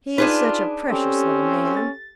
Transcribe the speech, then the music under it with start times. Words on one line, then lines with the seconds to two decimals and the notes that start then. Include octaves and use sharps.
He is such a precious little man.
0.18 D4 D#4 F4 G#4 B4
0.90 C4 C#4 G4 A4
1.77 A6